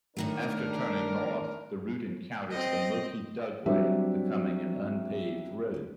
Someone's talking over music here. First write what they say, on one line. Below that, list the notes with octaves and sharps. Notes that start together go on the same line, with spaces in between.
After turning north, the route encounters the Moki Dugway, becoming an unpaved road.
A2 D#3 A3 D4 A#4
C4 D#5
F#3 G3 C4 D4 D5 E5